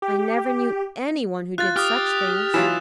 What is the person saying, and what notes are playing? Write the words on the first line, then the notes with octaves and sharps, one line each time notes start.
"I never knew any one who did such things."
G4
F4 F#6 A6
G4 D#6 F6
E3 F#3 F4 E7